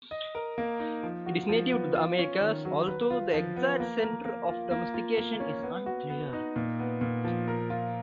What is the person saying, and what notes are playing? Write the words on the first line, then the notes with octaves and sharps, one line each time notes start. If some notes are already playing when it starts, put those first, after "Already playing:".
It is native to the Americas, although the exact center of domestication is unclear.
D#5
A#4
A#3
D#4
F3
F#4
F3
B3
F4
C#4
D#3
F#3
B4
F4
F3
B3
A#3
A#4
A#3
F4
A#3
F4
A#3
C#4
B3
F#4
B3
D#4
A#2
B3
A#2
F3
A#4
F4